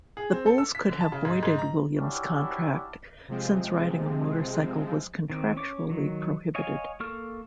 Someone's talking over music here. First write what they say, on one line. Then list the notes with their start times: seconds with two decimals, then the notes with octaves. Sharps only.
The Bulls could have voided Williams' contract, since riding a motorcycle was contractually prohibited.
0.17 G#4
0.32 C4
0.46 A4
0.58 E6
0.75 B6
0.89 D3
1.01 A5
1.12 C#3
1.25 G#2
1.43 G#2
1.58 A#5
1.99 C#4 D4 E4 F#4 G4
3.28 C3 F3 G#3 C4
5.30 D#3 C4
5.57 C#4 C#5 D6
5.90 D#3 F#3
6.55 C#5 D#5 F5 G#5
7.00 A#3 A4 C#6 F6